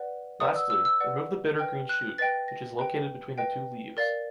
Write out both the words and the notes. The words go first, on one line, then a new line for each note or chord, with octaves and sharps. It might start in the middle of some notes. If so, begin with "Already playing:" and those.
Lastly, remove the bitter green shoot, which is located between the two leaves.
Already playing: B4 D5 F#5
B4 D5 F#5 D#6
E6
E6
E6
B4 D5 F#5
B4 D#5 G5 F6
F#6
B4 D#5 G5 A6
A#6
B4 D#5 G5
B4 D#5 G5
A#4 D5 F5 A6